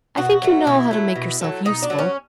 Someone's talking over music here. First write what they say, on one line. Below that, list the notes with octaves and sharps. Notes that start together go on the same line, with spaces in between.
I think you know how to make yourself useful.
B2 F#4
F#3 A3
B2 E4
F#3 A3
B2
F#3 A3
B2 D#4
D4
F#3 A3
C#4